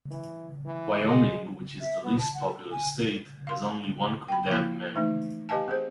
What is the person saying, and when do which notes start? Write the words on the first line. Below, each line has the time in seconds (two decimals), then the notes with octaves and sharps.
Wyoming, which is the least populous state, has only one condemned man.
0.11 E3
0.66 E3
1.08 G#3
1.81 E5
2.03 B3
2.19 A5
2.34 F#5
2.47 A4
2.71 G#5
3.47 F5 C6
4.28 G5 B5
4.48 F3 A#3 E4
4.95 E3 A3 D#4
5.49 G4 B4 D#5 F5 G#5 A5
5.68 C4 G#4 C5